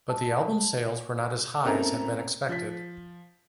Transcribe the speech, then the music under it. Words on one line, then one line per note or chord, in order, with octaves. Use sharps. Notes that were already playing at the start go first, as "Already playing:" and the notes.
But the album sales were not as high as had been expected.
A5
A#3 C4 C#4 E4 A4 A#5
F3 B6